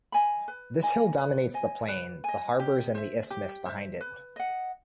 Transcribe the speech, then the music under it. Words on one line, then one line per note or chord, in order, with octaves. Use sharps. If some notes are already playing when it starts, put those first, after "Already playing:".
This hill dominates the plain, the harbours and the isthmus behind it.
D#5 G#5 B5
B4
D#5 G#5 B5
B4
D#5 G#5
B4
D#5 G#5
G4
C5 E5
G4
C5 E5
B4
D#5 F#5